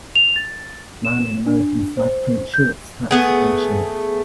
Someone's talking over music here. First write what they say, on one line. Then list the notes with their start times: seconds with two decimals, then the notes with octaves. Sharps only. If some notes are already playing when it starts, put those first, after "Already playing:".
Man in American Flag print shorts, hat, and shirt.
0.15 F7
0.36 A6
1.05 E7
1.46 D4
1.97 C5
2.54 G6
3.11 A3 B3 G#4